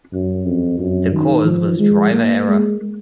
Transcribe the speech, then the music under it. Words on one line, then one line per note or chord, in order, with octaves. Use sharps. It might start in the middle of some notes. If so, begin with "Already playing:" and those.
The cause was driver error.
F#2
F2
F#2
D#3
F3
G#3
A#3
G#3